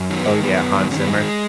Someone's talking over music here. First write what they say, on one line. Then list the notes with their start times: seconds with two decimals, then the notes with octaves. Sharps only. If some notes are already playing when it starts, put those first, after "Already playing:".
Oh, yeah, Hans Zimmer.
Already playing: F#2
0.10 D#3 F#3
0.18 B3
0.26 D#3 G#3
0.43 F#2 B3
0.58 F#2
0.75 D#3
0.91 D#3 C#4
1.00 B3
1.08 F#2 G#3